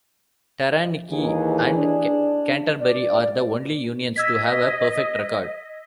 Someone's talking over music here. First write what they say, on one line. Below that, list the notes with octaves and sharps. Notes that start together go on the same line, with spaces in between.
Taranaki and Canterbury are the only unions to have a perfect record.
D#2 E3 G#4
D4
D5
D#5 E6 G#6 B6